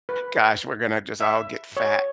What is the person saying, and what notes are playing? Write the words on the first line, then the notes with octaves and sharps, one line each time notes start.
Gosh, we're gonna just all get fat.
B4
E5
C#5